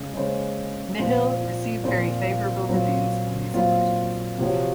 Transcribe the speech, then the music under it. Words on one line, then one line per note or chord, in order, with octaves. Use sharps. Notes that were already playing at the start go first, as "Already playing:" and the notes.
"Nihil" received very favorable reviews from music critics.
Already playing: C#3 G#3 C#4
C#3 G#3 C#4 G#4 C5
A#2 F3 C4 F4 C5
A#2 F3 C4 F4 C5
A#2 F#3 C4 F4 C5
A#2 F#3 C4 F4 C5
C3 F3 C4 F#4 C#5